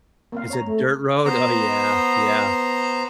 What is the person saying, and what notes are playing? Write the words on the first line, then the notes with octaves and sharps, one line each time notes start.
Is it dirt road? Oh, yeah, yeah.
A#3 C4 F5
C#5 A#5
A3
B3 C5 A#5